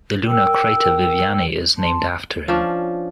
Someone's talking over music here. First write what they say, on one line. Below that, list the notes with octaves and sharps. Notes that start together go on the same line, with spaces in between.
The lunar crater Viviani is named after him.
A#4 G5 E6
A5 C6
F3 C#4 D4